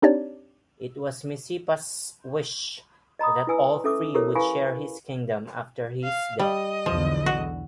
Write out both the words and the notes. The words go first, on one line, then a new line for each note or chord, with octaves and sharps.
It was Micipsa's wish that all three would share his kingdom after his death.
C4 D4 D#4 G4 C#5 D5
D#5 A#5 B5 D#6
E4 B4 G#5 E6
C#4 A4 E5 D6 E6
E4 G4 A4 A#4 C5 C#5
E4 B4 F5 G#5 B5 C#6
F5
G3 D#5
B1 E2 D3 F3
F#4